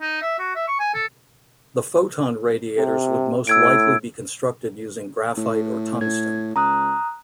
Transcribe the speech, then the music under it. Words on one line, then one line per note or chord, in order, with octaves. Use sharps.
The photon radiators would most likely be constructed using graphite or tungsten.
D#4
E5
F#4
E5
C#6
G#5
A4
C3
A2 E6 G#6 D7
A2
A2 G#6
C#2 A#5 D#6 F#6